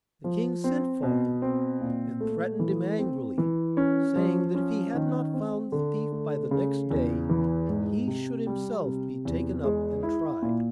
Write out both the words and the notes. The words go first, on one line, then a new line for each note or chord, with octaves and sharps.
The King sent for him, and threatened him angrily, saying that if he had not found the thief by the next day, he should himself be taken up and tried.
F3
C4
B2
C4
A#2
A3
E3
C4
E3
C#4
F3
C#4
D#3
C4
D3
A3
C#3
E2
E3
G#2
C3
G3
C3
E2
G#3
E4
A#2